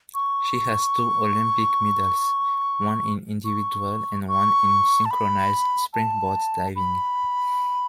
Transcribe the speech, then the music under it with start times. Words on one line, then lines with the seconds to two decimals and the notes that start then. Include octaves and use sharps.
She has two Olympic medals, one in individual and one in synchronized springboard diving.
0.15 C#6
3.45 C#6
4.28 C#6
5.05 A5
5.11 B5
5.93 A5
6.76 B5